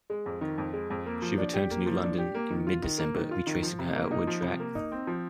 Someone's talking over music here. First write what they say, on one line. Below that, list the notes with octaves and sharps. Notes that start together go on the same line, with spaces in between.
She returned to New London in mid-December, retracing her outward track.
G#3
F2
D#3
F2
G#3
F2
A#3
F3
D4
G4
A#3
F3
D4
G4
A#3
D#3
F4
D#3
A#3
D#3
F4
D#3
F3
C3
A#3
D#4
F3
C3
A#3
D#4
C4
F3